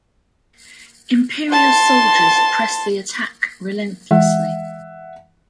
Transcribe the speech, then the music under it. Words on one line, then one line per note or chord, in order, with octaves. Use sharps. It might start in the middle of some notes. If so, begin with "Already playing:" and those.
Imperial soldiers pressed the attack relentlessly.
A5 C6
E3 G#3 E5 F#5